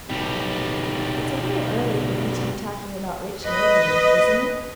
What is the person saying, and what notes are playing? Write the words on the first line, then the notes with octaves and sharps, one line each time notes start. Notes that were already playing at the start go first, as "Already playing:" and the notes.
"It's a little early for you to be talking about rich noblemen, isn't it?"
B1 G3
B4 D#5